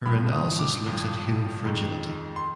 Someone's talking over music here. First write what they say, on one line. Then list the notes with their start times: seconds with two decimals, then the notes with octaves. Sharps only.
Her analysis looks at human fragility.
0.05 G#1 G2 F3 B5
0.32 D#6
0.59 D6
0.85 G#1 G2 F3
1.65 F2 D#3 G#3
2.36 C6